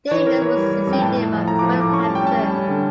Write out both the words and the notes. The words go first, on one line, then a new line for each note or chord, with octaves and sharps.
Davis was succeeded by Philip Hampton.
E3 C#5
E3 A#4
E3 C#5
G3
G3
F2
G5
A2 A5
A2
F3
A2 A#5
F3 D6
A2 D6
C#4 C#6
G3 A5
G5
C#4 A5
G3
C#4
D3